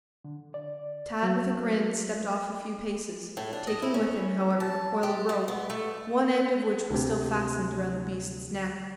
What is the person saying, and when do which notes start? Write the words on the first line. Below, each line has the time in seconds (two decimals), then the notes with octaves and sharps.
Tad, with a grin, stepped off a few paces, taking with him, however, the coil of rope, one end of which was still fastened around the beast's neck.
0.24 D3
0.54 D5
1.23 F#3
3.37 A2
3.53 D4
3.67 D#5
3.82 E4
3.94 C#4
4.60 A5
5.03 G4
5.29 F3
5.48 B3
5.70 A3
6.91 D2 C3